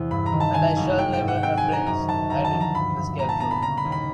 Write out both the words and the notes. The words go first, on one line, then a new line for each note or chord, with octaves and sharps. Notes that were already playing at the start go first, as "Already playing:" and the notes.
"And I shall never have brains," added the Scarecrow.
Already playing: E2 C3
G2 B5
A#5
D#3
A5
D#3 G#5
F#1
G#3 G5
G5
G#2
F#5
C4 G5
G#5
D#3
A#5
F#2 A#5
D#3 A5
D2 A#5
A5
F3
A#5
G2 B5
G2
A#2 A#5
A5
B3 A#5
B5
C#3 A#5
B5
D#2
B5